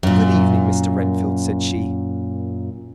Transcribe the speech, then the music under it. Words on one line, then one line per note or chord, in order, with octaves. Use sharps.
"Good-evening, Mr. Renfield," said she.
F#2 A#2